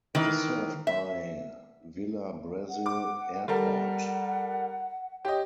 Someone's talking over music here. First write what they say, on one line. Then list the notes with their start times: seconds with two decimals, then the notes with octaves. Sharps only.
It is served by Vila Brasil Airport.
0.15 D#3 E3
0.87 E5
2.68 F#5
2.86 D6
3.48 G3 A4 A#4 F#5
5.25 G4 C#5 D#5